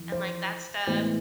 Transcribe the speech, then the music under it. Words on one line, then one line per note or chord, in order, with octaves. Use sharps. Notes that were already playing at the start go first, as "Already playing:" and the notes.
and, like, that stuff,
Already playing: F2 E3
C5
A2 E3 G#3 B3 C5